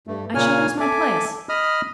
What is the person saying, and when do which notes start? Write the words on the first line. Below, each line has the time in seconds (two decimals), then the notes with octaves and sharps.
'I shall lose my place.
0.07 G2 A3
0.35 A#2 C#3 A#3 C#5 G#5 F6
0.80 A4 E5 G#5 D6
1.49 D#5 B5 D#6 F6